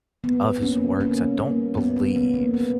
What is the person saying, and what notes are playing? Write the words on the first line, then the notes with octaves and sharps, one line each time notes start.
of his works, I don't believe.
A#2 B3
A#3 C#4
G3 A#3 C#4
G3 A#3 C#4
A#2 B3
B3
A#2 B3
A#3
G#3 B3